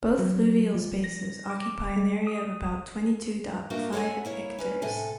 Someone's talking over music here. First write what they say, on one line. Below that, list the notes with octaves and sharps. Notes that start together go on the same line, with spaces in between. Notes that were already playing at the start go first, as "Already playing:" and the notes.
Both fluvial spaces occupy an area of about twenty-two dot five hectares.
F#3
F3
A#6
D6
G#3
D#6
A3 A#3 D4 F4 F#4 A#4
A4 C#5 D5 F#5 G#5
A#3 E4 C#5
C#4 B4
A2 C3 A4 G#5